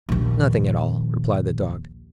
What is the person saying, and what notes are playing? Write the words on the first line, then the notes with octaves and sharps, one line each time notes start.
"Nothing at all," replied the Dog.
A#1 D#2